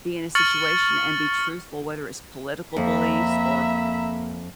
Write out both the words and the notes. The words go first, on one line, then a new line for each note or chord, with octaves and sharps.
be in a situation and be truthful, whether it's political beliefs or
C#6 F6 A6 C#7 F#7
F2 A#3 E5 A#5 B5